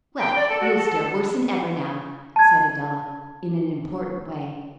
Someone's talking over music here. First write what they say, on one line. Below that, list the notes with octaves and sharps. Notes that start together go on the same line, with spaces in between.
"Well, you'll stare worse than ever now," said Adela, in an important way.
G5
D5
A4
F#4
A4
A4
A5 G#6